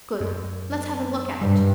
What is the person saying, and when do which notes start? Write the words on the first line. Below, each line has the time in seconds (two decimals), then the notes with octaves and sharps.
"Good; let's have a look at it."
0.20 F#2
1.41 G2 G3